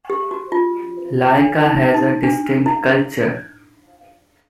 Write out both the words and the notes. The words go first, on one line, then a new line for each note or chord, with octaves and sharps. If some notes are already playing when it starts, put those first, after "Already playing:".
Lika has a distinct culture.
G4
F#4
F4
D4
D#4
D#4
D4
E4